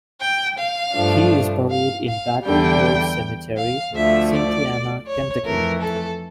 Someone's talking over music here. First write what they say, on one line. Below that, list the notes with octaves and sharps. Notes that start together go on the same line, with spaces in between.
He is buried in Battle Grove Cemetery, Cynthiana, Kentucky.
G5
F5
G2 F3 A3 D4
F5
F5
E2 D3 G3 G5
F5
D2 D3 F3 A3 E5
D5
C#5
F2 E3 A3 A#4
A4